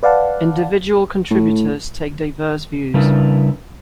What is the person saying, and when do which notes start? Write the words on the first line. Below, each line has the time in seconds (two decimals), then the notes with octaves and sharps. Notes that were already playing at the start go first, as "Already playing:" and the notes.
Individual contributors take diverse views.
0.03 B4 D5 F5 F#5 A5
1.30 A2
2.94 C#3 G3 D4 E4 A#4 B4